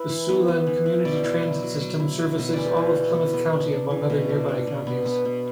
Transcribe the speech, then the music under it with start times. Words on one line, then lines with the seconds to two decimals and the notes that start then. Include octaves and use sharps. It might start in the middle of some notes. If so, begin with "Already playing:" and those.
The Siouxland Community Transit System services all of Plymouth County among other nearby counties.
Already playing: E4 B4
0.09 E3
0.29 B3
0.48 B3
0.67 E3
0.86 E4
1.05 B2 D5
1.24 E4
1.43 F#3
1.63 F#3
1.81 F#3
2.00 E4
2.19 F#3
2.39 B2
2.53 E3 B4 D5
2.77 E3
2.96 B3
3.14 B3
3.33 B3
3.53 D4
3.72 D4
3.91 E3
4.10 B2
4.29 D4
4.49 D4
4.67 B2
4.87 B3
5.06 B3
5.25 B2